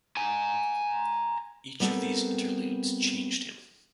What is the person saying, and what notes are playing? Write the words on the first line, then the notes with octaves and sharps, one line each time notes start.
Each of these interludes changed him.
G#5 A#5
G3 B3 C4 A4 A#4